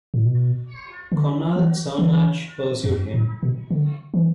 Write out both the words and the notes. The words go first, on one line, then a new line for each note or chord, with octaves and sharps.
Conall Cernach pursued him.
A2
B2
D3
E3
E3
F#2
A2
B2
D3
E3